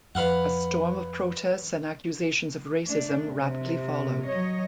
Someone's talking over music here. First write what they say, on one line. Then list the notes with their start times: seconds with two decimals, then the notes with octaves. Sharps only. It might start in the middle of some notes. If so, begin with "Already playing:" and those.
A storm of protests and accusations of racism rapidly followed.
0.15 F2 B4 F5 F#5
2.86 A3 D4
3.28 C3
4.26 F#3 C#5 D#5